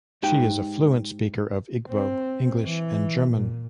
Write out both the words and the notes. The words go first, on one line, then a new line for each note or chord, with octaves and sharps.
She is a fluent speaker of Igbo, English, and German.
G#2 D#4 G4 G5
C4
E3
A#2